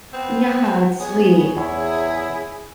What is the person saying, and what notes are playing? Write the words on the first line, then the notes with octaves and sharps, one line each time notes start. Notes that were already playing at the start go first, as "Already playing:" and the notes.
Yeah, it's sweet.
B3 C4
F#5
B3 G#4 C#5
E2 E4